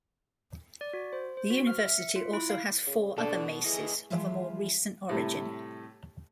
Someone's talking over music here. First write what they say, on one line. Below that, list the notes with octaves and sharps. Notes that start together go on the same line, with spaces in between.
The university also has four other maces of a more recent origin.
D5
F#4
C5
C5
F#4
F6
E5
C#7
F4
E4
F5
C#3
B2 D3 D4 A4
A2 E3 G#4 D#5
E3 F3 G3 G#3 F4 E5
A2 C3 G3 A3